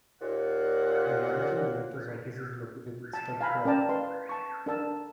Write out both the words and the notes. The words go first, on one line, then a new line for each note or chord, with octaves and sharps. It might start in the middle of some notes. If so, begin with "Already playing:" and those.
The managing director's office is located in Stuttgart.
D#2 A#2 F#5
A5
F5 G#5 A#5 B5
C#4 A#4 D5 G5 A5 A#5
B4 D#5 F5 C6
A5 C#6
D4 A#4 A5 E6